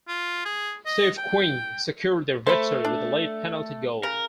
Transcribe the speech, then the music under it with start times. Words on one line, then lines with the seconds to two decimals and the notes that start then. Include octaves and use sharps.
Steve Quinn secured their victory with a late penalty goal.
0.08 F4
0.45 G#4
0.86 D#5
1.18 G5
2.47 A3 C5 B5
2.85 D4
4.03 C#3 A#4